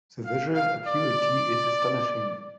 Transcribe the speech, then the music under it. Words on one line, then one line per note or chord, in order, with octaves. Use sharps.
The visual acuity is astonishing.
F5
F5
D5